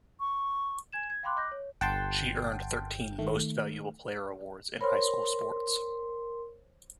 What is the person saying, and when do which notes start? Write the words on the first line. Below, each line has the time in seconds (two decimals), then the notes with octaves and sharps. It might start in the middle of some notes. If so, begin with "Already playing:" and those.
She earned thirteen Most Valuable Player awards in high school sports.
0.20 C#6
0.93 G#5 G#6 E7
1.10 G#6
1.23 F5 G5 B5 C6 D6 F#6
1.36 D#5 D6 F#6 G6 A#6
1.52 C#5
1.81 G1 F#5 G5 A5 C6
3.19 D#3 A3
4.81 A#4 C5 C#5 B5 C6